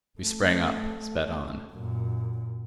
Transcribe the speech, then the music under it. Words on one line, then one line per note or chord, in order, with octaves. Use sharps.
We sprang up, sped on.
A3
F#2 A#2